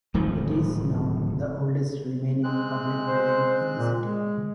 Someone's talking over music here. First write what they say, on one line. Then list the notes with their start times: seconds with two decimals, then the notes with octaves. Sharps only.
It is now the oldest remaining public building in the city.
0.14 D1 G#2 D#3 F3
2.44 G#3 C4 F#6
3.07 C5
3.77 A#2
4.00 G#3